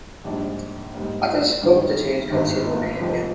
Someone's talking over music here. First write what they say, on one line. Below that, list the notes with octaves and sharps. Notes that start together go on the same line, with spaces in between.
Others hope to change consumer behavior.
A#1 G#2 G3 D4
G#2 G3 A#3
G2 D#3 G#3
G#1 G2 D#3
F1 F2 C3 F3 G#3